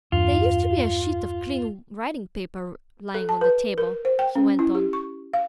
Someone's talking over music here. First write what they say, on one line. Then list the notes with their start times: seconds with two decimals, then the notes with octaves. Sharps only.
"There used to be a sheet of clean writing paper lying on the table," he went on.
0.12 E2 G2 D4 F4
3.14 A4
3.29 A5
3.41 B4
3.78 A#4
4.05 C5
4.19 G5
4.35 C#4
4.59 E4
4.75 G4
4.93 C#6
5.33 F5